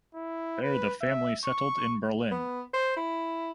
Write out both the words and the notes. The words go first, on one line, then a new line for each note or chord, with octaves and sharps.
There the family settled in Berlin.
E4
B4
E5
C#6
B3
C5
E4